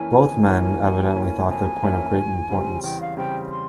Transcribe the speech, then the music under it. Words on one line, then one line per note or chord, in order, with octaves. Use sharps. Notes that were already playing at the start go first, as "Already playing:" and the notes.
Both men evidently thought the point of great importance.
Already playing: F2 E3 A#3 C#4 E4 G#5
F2
E3 A#3 C#4 E4
F2
E3 A#3 C#4 E4
F2 G#5
E3 A#3 C#4 E4
E2
C#3 G3 C4
E2 G5
F5
C#3 G3 C4 G5
C6